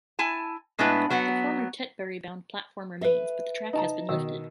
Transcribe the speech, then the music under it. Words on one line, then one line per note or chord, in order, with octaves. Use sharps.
The former Tetbury bound platform remains but the track has been lifted.
E4 G#5 A5
A2 G#3 B3 D4 E4 B4
F#3 B3 F#5
B4 E5
D#4 A5 A#5
B2 D#3 E6